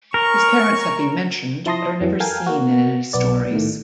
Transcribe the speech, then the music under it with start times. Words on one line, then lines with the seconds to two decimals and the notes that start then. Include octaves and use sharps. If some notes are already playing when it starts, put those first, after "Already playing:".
His parents have been mentioned but are never seen in any stories.
0.14 C#4 A#4 C#6
1.66 F3 E4 A5 C6 D#6 A#6
2.01 F2 E3 F#3
2.20 A4 A#4 F5 G5 G#5
2.47 A#3 F#4
3.13 B1 B3 D5
3.51 A2 D#3 A3